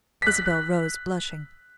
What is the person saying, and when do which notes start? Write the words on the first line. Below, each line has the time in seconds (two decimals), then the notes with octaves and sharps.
Isabel rose, blushing.
0.22 F#6 B6